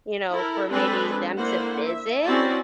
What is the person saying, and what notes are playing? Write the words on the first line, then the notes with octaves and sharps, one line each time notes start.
you know, for maybe them to visit.
E4 A4 A#4
G#3 C4 D4 G#4 A4 B4
D3 A#3 E4 C5 F#5
E5
C4 C#4 E4 F#4 D5 A5